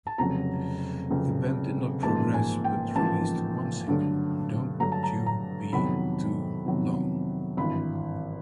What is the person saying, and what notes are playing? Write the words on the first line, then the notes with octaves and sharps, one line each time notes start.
The band did not progress but released one single, "Don't You Be Too Long".
A5
F1 F2 C#3 F#3 A#5
F1 F2 C#3 F#3
A1 G#2 F3 A#3 A5
G#5
G5
A1 G#2 F3 A#3 A5
G2 D3 F#3 A3
G2 D3 F#3 A3 A#5
A5
A#5
A#5
F2 C3 D#3 F#3 B3 B5
F2 C3 D#3 F#3 B3
G#1 G2 E3 B5